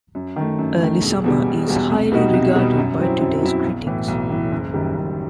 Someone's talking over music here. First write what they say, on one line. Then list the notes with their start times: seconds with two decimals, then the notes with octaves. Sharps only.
"Early Summer" is highly regarded by today's critics.
0.15 F#2
0.36 D#3 A3
0.59 F#2
0.80 D#3 A3
1.02 E1
1.24 E2 B2 G3
1.46 E1
1.68 E2 B2 G3
1.90 C2
2.12 B2 G3 D#4 F#4
2.33 C2
2.55 B2 G3 D#4 F#4
2.77 F#2
2.99 F#3 C4 E4
3.21 F#2
3.43 F#3 C4 E4
3.64 B1
3.86 A2 E3
4.08 B1
4.29 A2 E3
4.52 F#1
4.74 F#2 D#3 G3
4.96 F#1